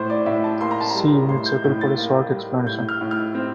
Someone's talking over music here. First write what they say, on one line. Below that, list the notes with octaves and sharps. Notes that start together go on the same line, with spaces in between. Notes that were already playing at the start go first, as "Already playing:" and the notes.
See unit circle for a short explanation.
Already playing: A2 C5
D5
A2 E5
A5
A#3 C6
A#5
A5
G3 A#5
A2 C6
G6
A2 G6
A6
A#3
G3
A2 G6
F6
A2
F6
C4